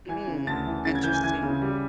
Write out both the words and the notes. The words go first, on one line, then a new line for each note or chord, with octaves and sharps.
Mm, interesting.
E3 G#5 G#6
C#3
D2 A5 A6
E3
C#3 A6
G#6
E3 G6
G#5 G#6
E3 G#5 G#6
C#3
G3